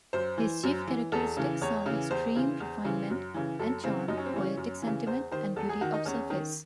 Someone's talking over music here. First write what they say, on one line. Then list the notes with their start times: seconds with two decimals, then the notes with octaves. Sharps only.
His chief characteristics are extreme refinement and charm, poetic sentiment, and beauty of surface.
0.13 F#2 C5
0.38 E3
0.63 F#2
0.87 E3
1.12 E2 A4
1.37 C#3 E3
1.61 E2 C#5
1.86 C#3 E3
2.10 E2 C5
2.36 C#3 E3
2.60 E2
2.85 C#3 E3
3.10 F#2
3.34 C#3 E3
3.59 F#2 A4
3.84 C#3 E3 C4
4.08 F#2 D#4
4.17 C#4
4.26 C4
4.33 C#3 E3 C#4
4.57 F#2
4.82 C#3 E3
5.06 E2 C5
5.31 D#3 C5
5.56 E2 A4
5.69 G#4
5.81 D#3 F#4
5.94 D#4
6.05 E2 C#4
6.30 D#3